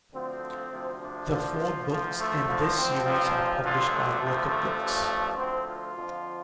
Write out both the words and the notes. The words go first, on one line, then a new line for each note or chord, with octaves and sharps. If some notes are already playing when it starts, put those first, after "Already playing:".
The four books in this series are published by Walker Books.
D2 D3 F3 C4
D2 C3 F3
D4
D2 D3 F3
F4
D2 D3 F3
A3
D2 D3 F3
C4
A1 G2 F3
A1 G2 D3 F3 F4
A3
D2 C3 F3
A3
A1 G2 F3
D2 D3 F3 C4
F4
F2 D3 F3